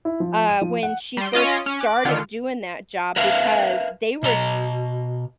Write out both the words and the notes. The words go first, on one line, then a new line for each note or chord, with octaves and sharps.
uh, when she first started doing that job because they were
E4
F3
D#7
F3
F#5
G3 C6
C#4 F4 D#5 D7
C#4
D6 F#6
D3 D#3 F4 F6 C#7
A#4 B4 E5 F5
B2 D#5 A#5